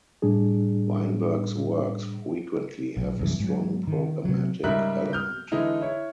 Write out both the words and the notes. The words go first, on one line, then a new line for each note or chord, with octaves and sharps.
Weinberg's works frequently have a strong programmatic element.
A2 G3 D4 G#4
B1
C2 F#2 E3
G#2 F#3
D#3
C3 F#3
G#2 C#3 G3 A#4 E5 F#6
D#6 F6 G6
D3 E3 G#3 D#4 E4
E4 C#5